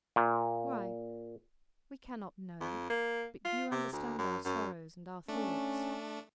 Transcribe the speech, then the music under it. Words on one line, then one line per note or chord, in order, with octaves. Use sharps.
Why?--we cannot know; but you understand our sorrows and our thoughts.
A#2
F2
A#3
F4
C3
D2
F#2
F#2
A3 C#4 D4